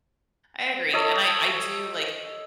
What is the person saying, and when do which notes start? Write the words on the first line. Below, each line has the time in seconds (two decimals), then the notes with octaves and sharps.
I agree, and I I do, like
0.93 A4 C#5 D#5